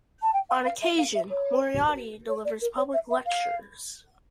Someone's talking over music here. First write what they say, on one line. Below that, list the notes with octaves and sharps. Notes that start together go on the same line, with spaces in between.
On occasion, Moriarty delivers public lectures.
A5
G5
F5
F5
E5
F5
E5
C#5
C#5
D5
A#4
C#5
E5
E5
F5